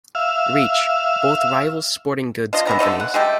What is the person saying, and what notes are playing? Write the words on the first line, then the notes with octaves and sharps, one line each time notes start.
Reach, both rival sporting goods companies.
E5 F5
D4 F4 D#5
E3 B3 A#5
D3 A3 C#5 D#5
F#5
G#3 A3 G4